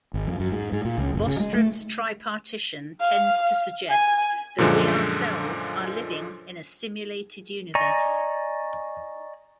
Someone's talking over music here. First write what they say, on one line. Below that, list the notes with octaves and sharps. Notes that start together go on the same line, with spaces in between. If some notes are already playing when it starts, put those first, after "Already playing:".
Bostrom's tripartition tends to suggest that we ourselves are living in a simulated universe.
G#1
F2
F#2
G#2
G#2
A#2
C#2
F#1
C#3
G#3
A3
F5
G#5
F#2 A#2 D3 F3 G#3
D5 D#5 G#5 A#5 C#6